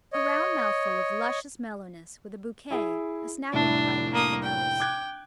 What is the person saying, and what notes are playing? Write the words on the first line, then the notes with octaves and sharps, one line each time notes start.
A round mouthful of luscious mellowness, with a bouquet--a snapping reminder to the nose.
C#5 D#5
E4 G#4
F1 A2 D4 E4
A#3 D#6
G5
D6 F#6 G#6